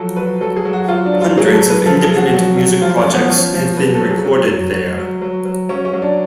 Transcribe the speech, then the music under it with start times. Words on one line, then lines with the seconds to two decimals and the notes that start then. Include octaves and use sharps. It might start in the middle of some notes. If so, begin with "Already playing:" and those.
Hundreds of independent music projects have been recorded there.
Already playing: F3 F#3 A4
0.16 F#3 B4
0.41 F#3 A4
0.56 G#4
0.65 F#3
0.73 F#4
0.88 F#3 F4
1.06 D4
1.13 F#3
1.21 F4
1.37 F#3 G#4
1.52 A4
1.61 F#3
1.70 B4
1.86 F3 A4
2.01 G#4
2.09 F3
2.16 F#4
2.34 F#3
2.57 F#3
2.81 F3 F4
2.97 C#4
3.05 F3
3.13 B3
3.29 F3 C#4
3.54 F3
3.77 F#3 B4
3.94 A4
4.01 F#3
4.09 G#4
4.25 F#3
4.49 F#3
4.73 F#3
4.98 F#3
5.22 F#3
5.45 F#3
5.69 F#3 C#4
5.85 C#4
5.93 F#3
6.02 D4